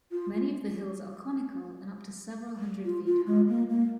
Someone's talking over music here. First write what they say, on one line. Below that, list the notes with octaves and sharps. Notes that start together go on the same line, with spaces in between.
Many of the hills are conical and up to several hundred feet high.
F4
F4
F4
G#3
A#3
A#3